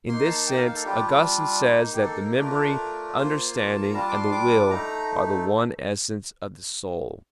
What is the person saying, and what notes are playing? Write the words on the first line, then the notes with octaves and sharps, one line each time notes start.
In this sense, Augustine says that the memory, understanding, and the will are the one essence of the soul.
A#3 D#4 C6
A5
G5
F5
F5
A4
G3 D4 F4 G4
A#3 D#4
G4
A4
A#4
A3 D4 F4 A#4
A#3 F4 C5
A5
A#5
G3 D4 F4 A5
D6
C6
D6
A3 D#4 A#5